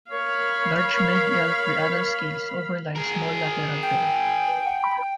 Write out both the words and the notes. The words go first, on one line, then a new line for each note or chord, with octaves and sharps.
Large medial preanal scales overlie small lateral pair.
A#4 C#5 F5 B5
G#4 A#4
G5